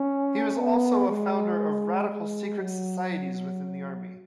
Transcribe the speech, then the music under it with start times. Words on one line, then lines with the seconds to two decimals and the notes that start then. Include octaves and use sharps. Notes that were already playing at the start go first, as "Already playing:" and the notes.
He was also a founder of radical secret societies within the Army.
Already playing: C#4
0.59 B3
1.09 G#3
2.09 G#3
2.60 F#3